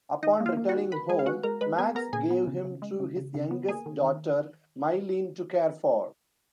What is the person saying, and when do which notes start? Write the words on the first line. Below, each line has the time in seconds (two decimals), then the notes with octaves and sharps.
Upon returning home, Max gave him to his youngest daughter, Mylene, to care for.
0.23 D#3 D#4 D#5
0.40 A#3
0.46 F4 F5
0.57 A#3
0.69 F#4 F#5
0.75 D#3
0.92 D#3 B4 B5
1.09 G#3 G#4 G#5
1.19 F5
1.26 B3 F#4 F#5
1.43 G#3 A#4 A#5
1.61 G#3 B4 B5
1.78 B3 G#4 G#5
1.95 B3 A#4 A#5
2.13 A#2 G#4 G#5
2.30 B3
2.47 C#3
2.65 C#3
2.82 G#3
3.00 C#3
3.16 C#3
3.34 C#3
3.51 B3
3.68 A#3 G#4 G#5
3.86 D#3
4.04 D#3